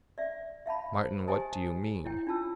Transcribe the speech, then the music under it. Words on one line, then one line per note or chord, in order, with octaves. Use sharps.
"Martin--what do you mean?"
D5 E5
E5 F5 A5 B5
C5
G4 C5 D#5 G#5 A5 D#6
E4 C#5 G5
D4 F4 A5 E6